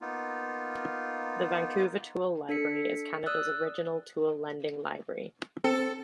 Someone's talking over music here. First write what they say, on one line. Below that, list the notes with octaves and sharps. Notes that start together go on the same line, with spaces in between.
The Vancouver Tool Library is Canada's original tool lending library.
A#3 B3 D#4 F4
D4 A4 B6 C#7
D5 D#6 E6 F#6
C4 A4